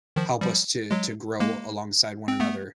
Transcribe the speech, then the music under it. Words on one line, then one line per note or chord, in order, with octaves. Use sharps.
help us to to grow alongside one another,
D#3 F3
F3 G3
F#3 G#3
G#3 A#3
C4
A3 B3